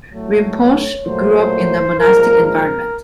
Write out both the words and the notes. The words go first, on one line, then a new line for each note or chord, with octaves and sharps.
Rinpoche grew up in a monastic environment.
A2 F#3 A3
C#5
A#2 F#3 A3 C5
A#2 F3 G#3 A#4
A#4